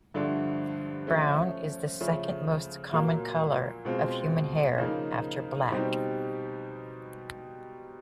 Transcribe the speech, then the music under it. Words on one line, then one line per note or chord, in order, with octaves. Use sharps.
Brown is the second most common color of human hair, after black.
G2 D3 F3 A3 D4
F3 A3 C#4
C#3 F3 A3
A#2 F#3 A#3
B2 G#3 C4 F4
C#3 F3 A#3 D#4
B2 G3 C4 D#4 G4